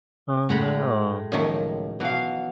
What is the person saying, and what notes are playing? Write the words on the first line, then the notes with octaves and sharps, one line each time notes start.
Oh, no.
A2 G#3 A3 F#4 A#5 B5
C#2 F#2 D#3 F3 A#3 C#5
B2 E3 F#3 F5